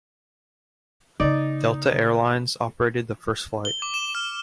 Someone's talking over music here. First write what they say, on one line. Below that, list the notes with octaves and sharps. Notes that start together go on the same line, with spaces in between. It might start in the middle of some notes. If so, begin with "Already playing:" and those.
Delta Air Lines operated the first flight.
C#3 A#3 D#4 D5
G7
D6
E7
F6